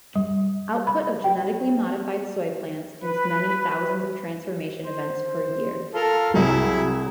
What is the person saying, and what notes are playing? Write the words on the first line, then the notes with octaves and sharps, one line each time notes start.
Output of genetically modified soy plants is many thousands of transformation events per year.
G3
B5
G5
B4
C5
F4 A4 A#4
C2 F#3 E4 G#4